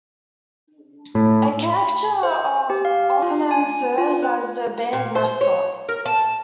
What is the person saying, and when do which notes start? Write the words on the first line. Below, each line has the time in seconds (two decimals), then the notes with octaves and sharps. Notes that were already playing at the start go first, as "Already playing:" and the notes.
A caricature of Aukerman serves as the band's mascot.
1.15 A2
1.70 B5
2.23 C5
2.70 G4
2.85 F5
3.22 F4
3.51 G#5
3.98 F4
4.23 B4
4.93 A#2
5.15 C5
5.41 C#5
5.89 A#4
6.06 A5